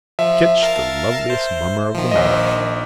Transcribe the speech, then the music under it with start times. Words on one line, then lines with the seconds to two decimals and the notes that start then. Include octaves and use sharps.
Kinch, the loveliest mummer of them all!
0.19 F3 E5
0.62 A#4 F5 A5
1.30 C5
1.94 D#3 F3
2.11 A#1 D#5